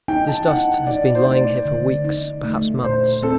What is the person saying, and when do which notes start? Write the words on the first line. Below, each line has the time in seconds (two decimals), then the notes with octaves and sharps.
This dust has been lying here for weeks, perhaps months.
0.08 D#4 G5
0.28 A5
0.47 D#4 F#5
0.87 D#4 D5
1.15 C5
1.26 A3 D5
1.66 D3
2.04 D#4
2.45 A3
2.84 A#2 C5
3.22 C4 A4